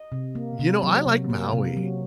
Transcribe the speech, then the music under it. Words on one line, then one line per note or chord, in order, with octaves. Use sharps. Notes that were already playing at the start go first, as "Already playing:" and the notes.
You know, I like Maui.
Already playing: D#5
C3
A#3
C3
F#3
C3
A#3
C3
F#3